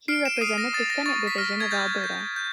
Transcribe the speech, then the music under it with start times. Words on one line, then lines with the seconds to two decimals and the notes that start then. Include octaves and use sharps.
He represented the senate division of Alberta.
0.08 F6 C7 D7
0.25 D7 E7
0.37 D#7
0.41 D#6 C7 D7
0.58 A#6
0.73 D#6 A6
0.90 A#6
1.06 C#6 A6
1.27 B6
1.38 F6 A#6
1.60 G#6
1.71 G6 A6
2.04 G6
2.36 G6